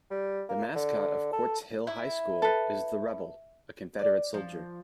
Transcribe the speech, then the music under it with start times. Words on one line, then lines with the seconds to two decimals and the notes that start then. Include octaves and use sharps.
The mascot of Quartz Hill High School is the Rebel, a confederate soldier.
0.11 G3
0.49 A#3
0.75 D3
1.33 A4
1.87 E4
2.42 A4 B4
3.99 D5
4.34 F3